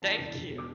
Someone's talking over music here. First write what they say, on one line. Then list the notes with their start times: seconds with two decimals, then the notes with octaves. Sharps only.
Thank you.
0.02 E2 A5
0.18 E1
0.35 E1
0.51 B2
0.58 D6